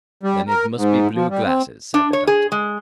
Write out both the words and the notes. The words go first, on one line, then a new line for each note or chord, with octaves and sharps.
"Then it must be blue glasses," said the doctor.
G3
A#4
G#2
F3
G3
C4
D4
C#5
G#4
G#3